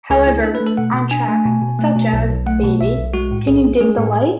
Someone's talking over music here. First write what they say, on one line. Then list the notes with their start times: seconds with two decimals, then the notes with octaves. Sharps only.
However, on tracks such as Baby, Can You Dig the Light?
0.10 C#2 G#4
0.27 E4
0.44 D4 A4
0.55 B4
0.61 A3
0.67 A4
0.77 B2 F#5
0.94 B2
1.11 D4 G#5
1.28 A3
1.45 B2
1.62 B2
1.79 A3
1.95 B2
2.13 B1
2.30 B1
2.46 A3 F#5
2.63 B2
2.81 B1 E5
2.97 B1
3.14 G#3 F#4
3.31 A2
3.47 B1 G#4
3.64 C#4
3.81 G#3 G#4
3.98 A2